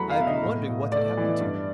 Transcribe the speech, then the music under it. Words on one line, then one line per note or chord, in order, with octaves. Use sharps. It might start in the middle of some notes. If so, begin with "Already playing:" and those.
I have been wondering what had happened to you.
Already playing: E2 F#3 A3 F#5 A#5 B5
F5
B2 E5
D#5
A2
A2
A3 D5
E3
G2